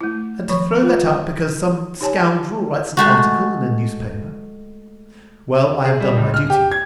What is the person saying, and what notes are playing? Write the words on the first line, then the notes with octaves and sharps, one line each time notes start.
And to throw that up because some scoundrel writes an article in a newspaper! Well;--I have done my duty.
A3 E4
D#3 F3 C#5 C#6
F4 B4
D#4 G4 C#5 G#5 A5
G#3 A3 F#4
G#4
G3
C#2
F6
G4
G#6